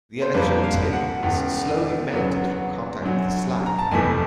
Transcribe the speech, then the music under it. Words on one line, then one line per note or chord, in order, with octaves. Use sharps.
The electrode tip is slowly melted from contact with the slag.
C5
F2 D3 G3 A#3 B4
F5
F#5
E1 E2 C#3 G5
E2 C#3 F#3 B3
F#2 D3 F#3
A#5
A5
F#1 F2 C3 E3 A3 G#5